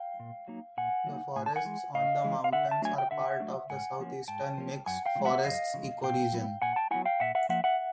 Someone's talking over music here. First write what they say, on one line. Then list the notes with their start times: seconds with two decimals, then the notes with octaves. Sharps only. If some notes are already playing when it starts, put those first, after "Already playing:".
The forests on the mountains are part of the Southeastern mixed forests ecoregion.
Already playing: F5 G5
0.20 A#2
0.48 F#3 A#3 D#4
0.77 A#2 F#5 G#5
1.07 F#3 A#3 D#4
1.36 A2 G#5
1.46 A5
1.56 F#5 G#5
1.65 E3 G#3
1.94 A2 D#5 F5
2.24 E3 G#3
2.44 F5
2.53 D3 E5 F#5
2.71 A5
2.82 F#3 A3 D4 G#5
2.98 G5
3.11 D3 E5 F#5
3.40 F#3 A3 D4
3.70 G#2 F#5 G#5
4.00 F3 A#3 C#4
4.28 G#2 G5 A5
4.58 F3 A#3 C#4
4.86 F#2 F#5 G#5
5.06 F5 G5
5.15 C#3 F3 G#3
5.25 E5 F#5
5.45 F#2 D#5 F5
5.74 C#3 F3 G#3
6.03 A#2 F5 G5
6.33 F#3 B3 E4
6.62 A#2 F#5 G#5
6.76 G5 A5
6.91 F#3 B3 E4 F#5 G#5
7.05 F5 G5
7.20 A#2 E5 F#5
7.35 E5 F#5
7.49 F3 A#3 E5 F#5
7.64 E5 F#5